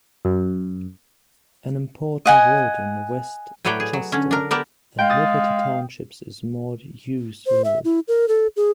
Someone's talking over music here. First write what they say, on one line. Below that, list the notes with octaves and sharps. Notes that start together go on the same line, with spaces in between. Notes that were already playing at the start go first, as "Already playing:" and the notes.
An important road in West Chester and Liberty Townships is Maud-Hughes Road.
F#2
D#5 F#5 G#5
A2 F#3 B4 C#5 D5 G5
G#4
F#3
D3 C#4
D4 A#4
B3 G4 A#4 D5 A5
G#3 F5 G5
D#6 A6
C5
E5
E4
A#4
A4
G#4